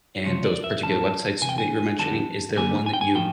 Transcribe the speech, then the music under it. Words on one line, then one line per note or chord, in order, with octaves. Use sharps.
and those particular websites that you were mentioning. Is there one that you
C#2 C3 F3 C#5
D5
E5
A2 F3 A#3 C#4 A5
E2 C3 G#5
G5
G#5
F2 D3 G3 B3 A5
F#2 D3 G3 A#3 G#5
G#5
G5
G#5
A2 F3 G5